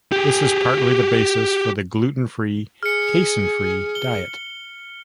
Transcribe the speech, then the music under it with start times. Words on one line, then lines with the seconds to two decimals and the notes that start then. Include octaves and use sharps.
This is partly the basis for the gluten-free, casein-free diet.
0.12 G4 G#4
2.83 G#4 F6 C#7
3.95 G7